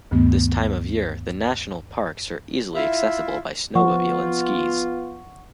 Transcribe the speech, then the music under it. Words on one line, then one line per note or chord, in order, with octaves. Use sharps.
This time of year the national parks are easily accessible by snowmobile and skis.
D2 G2 D#3 A3 B3
E4 F4 E5
F3 B3 F4 F#5 C#6